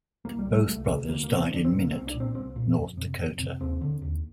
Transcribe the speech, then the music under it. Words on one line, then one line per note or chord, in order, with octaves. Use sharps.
Both brothers died in Minot, North Dakota.
C2 A#3
G3
C3
G3
C2 A3
C3
D2 A#3
A#3
C3
C4
D2 D4
C4
C3
A#3
C2 C4
D4
A#2
C4
C2 C4
A#2
F2
C3
F2
C3
D#2 C4
D3
D#2